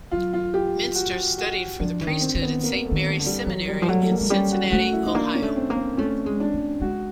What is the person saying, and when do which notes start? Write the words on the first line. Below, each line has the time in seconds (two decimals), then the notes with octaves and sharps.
Menster studied for the priesthood at Saint Mary's Seminary in Cincinnati, Ohio.
0.11 F#3 F4
0.33 F4
0.54 G4
0.95 F#4
1.38 F#4
1.79 F3 D4
2.01 E3
2.07 D#3
2.21 C4
2.35 D#3
2.42 B3
2.63 A#3
2.85 A3
2.92 D#3
3.05 A3
3.19 D3
3.26 G3
3.46 E3 F#3
3.67 G3
3.82 F3
3.88 F#3 A3
4.01 A3
4.10 A#3
4.21 F#3
4.30 G3 C#4
4.52 F#4
4.72 A3 F#4
4.93 E4
5.06 D#4
5.13 A#3 D4
5.35 C#4
5.42 A3
5.56 C4
5.70 A#3
5.77 C4
5.97 A3 C#4
6.26 G#3
6.40 D4
6.53 A3
6.81 G#3 F#4